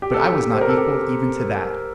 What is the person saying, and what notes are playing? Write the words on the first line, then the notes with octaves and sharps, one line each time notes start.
But I was not equal even to that.
G4
A4
G4
C5
A#4
A4
G4